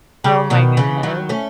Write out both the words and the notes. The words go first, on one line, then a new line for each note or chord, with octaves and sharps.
Oh my goodness.
C#3
B2 D#3
C#3 E3
D#3 F#3
A3 C#4